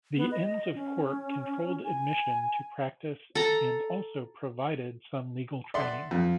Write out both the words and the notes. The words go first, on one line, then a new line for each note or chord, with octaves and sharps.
The Inns of Court controlled admission to practice and also provided some legal training.
B3
D#5
C#4
G#5
A4 A#5
D5 E5 F#5 C6
F2